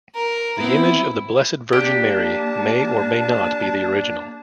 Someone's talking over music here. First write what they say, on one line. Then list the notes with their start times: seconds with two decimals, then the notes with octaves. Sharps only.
The image of the Blessed Virgin Mary may or may not be the original.
0.15 A#4
0.60 B3 C4 E4
1.73 A#3 D4 G4 A5